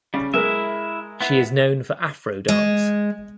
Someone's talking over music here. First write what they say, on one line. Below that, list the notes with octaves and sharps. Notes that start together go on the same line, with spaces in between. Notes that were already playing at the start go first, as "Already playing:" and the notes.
She is known for Afro dance.
C#3 G3
G#3 E4 A#4 E5
B3 E4
G#3